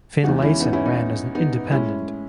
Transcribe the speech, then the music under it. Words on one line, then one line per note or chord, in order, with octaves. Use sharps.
Finlayson ran as an independent.
E2 C#3 E3 G#3 D#4 F#4
C#4 E4
B3 D#4
C#4 E4
B3 D#4
B3 D#4
A2 G#3 C#4 E4